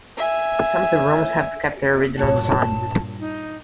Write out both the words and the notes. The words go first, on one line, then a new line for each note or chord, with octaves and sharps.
Some of the rooms have kept their original design.
E5 G#5
G2 A#2 F#4 C#5 A5
D#4